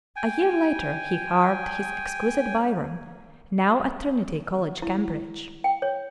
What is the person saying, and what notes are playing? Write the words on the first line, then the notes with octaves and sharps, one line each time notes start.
A year later, he carved his exquisite Byron, now at Trinity College, Cambridge.
G5 G#5
E4
G5
C#5